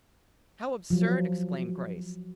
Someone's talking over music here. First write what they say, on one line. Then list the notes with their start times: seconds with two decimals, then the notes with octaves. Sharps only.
"How absurd!" exclaimed Grace.
0.90 F3 F#3